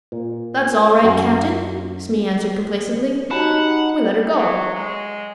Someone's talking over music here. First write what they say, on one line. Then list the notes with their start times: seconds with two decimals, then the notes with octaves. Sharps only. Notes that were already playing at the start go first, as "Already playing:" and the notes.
"That is all right, captain," Smee answered complacently; "we let her go."
0.12 A#2
1.04 F#2
3.31 D#4 F#4 G4 C#5 F#5 A5 B5
4.38 F#3
4.74 G#3